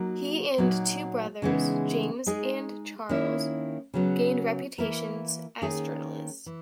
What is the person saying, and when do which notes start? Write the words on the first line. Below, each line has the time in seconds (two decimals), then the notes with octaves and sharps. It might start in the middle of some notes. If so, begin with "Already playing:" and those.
He and two brothers - James and Charles, gained reputations as journalists.
Already playing: F#3 A#3 D#4 F#4 A#4
0.58 A#2 F#3 A#3 D#4 F#4
1.42 C#3 E3 G#3 B3 D#4
2.27 G#3 D#4 G#4
3.09 D#3 A#3 C#4 E4
3.94 C#3 F#3 B3
4.78 E3 A#3 E4 A#4
5.62 D#3 A#3 C#4 G#4
6.46 E3